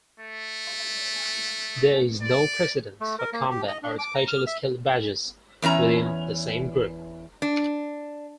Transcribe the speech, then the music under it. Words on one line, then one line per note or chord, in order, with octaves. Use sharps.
There is no precedence for combat or special skill badges within the same group.
A3
D5
A3
A#4
A#3
G4
D#5
D4
D6
A#5
F6
E5
E2 E3 C#4 A#5
D4